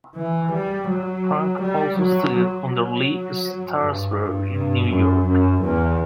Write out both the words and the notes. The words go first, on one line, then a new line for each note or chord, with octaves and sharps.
Frank also studied under Lee Strasberg in New York.
E3
G3
F#3
G3
F#3
F#3
F#3
G2
G2
G2
F#2
F#2
E2